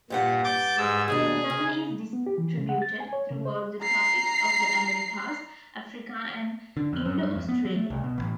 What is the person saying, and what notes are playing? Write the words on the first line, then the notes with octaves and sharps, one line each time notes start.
The family is distributed throughout the tropics of the Americas, Africa and Indo-Australia.
G2 A#2 G4 F#5
D6 G6 A6
G#2 E6
D#2 B2 D4 G#4
C#3
B3
G4
E3
C#3
F#5
A6
G#5
C#5
C#3
C5
A#5 C7
D3
F2
F#2
G2
F2
B3
F#3
A3
C2
B2
A1